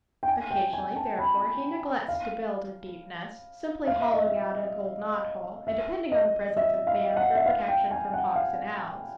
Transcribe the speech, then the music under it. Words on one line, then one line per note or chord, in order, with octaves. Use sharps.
Occasionally, therefore, he neglects to build a deep nest, simply hollowing out an old knot-hole, and depending on the presence of man for protection from hawks and owls.
G5
G#5
G5
G#5
A5
B5
F5
F5
E5
D#5
E5
E5
D#5
E5
F5
F#5
E5
F5
G5
G#5
F#5
F5